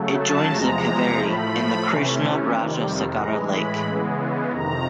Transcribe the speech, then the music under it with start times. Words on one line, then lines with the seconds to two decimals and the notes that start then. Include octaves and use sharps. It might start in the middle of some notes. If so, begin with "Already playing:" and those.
It joins the Kaveri in the Krishna Raja Sagara lake.
Already playing: C#3 F#3 A3
0.19 A5
0.52 E2 C3 F3 G#3 A#5
0.85 A#5
1.18 A2 F3 A3 B5
1.85 C3 E3 A3 C#4 A#5
2.51 F2 C3 D#3 G3
3.17 A2 E3 G#3 A#5
3.51 B5
3.85 C#3 E3 G#3 B3
4.51 F2 C3 D#3 A#5